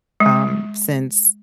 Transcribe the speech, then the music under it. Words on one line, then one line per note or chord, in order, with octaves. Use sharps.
um, since
G#3